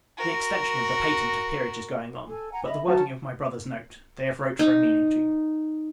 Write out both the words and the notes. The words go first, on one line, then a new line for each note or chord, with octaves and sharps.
The extension of the patent of peerage is going on; but the wording of my brother's note, they have wrote for a meaning to.
F#4 A#4
A4 G#5
F#5 G#5 A#5
D#5 E5 B5
F#3 C#4 A5
D#4